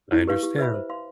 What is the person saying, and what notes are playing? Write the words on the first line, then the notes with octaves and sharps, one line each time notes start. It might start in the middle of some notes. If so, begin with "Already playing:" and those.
I understand.
E4
G4 B4 F5
G4
B4 E5 B5
C5
F5 C6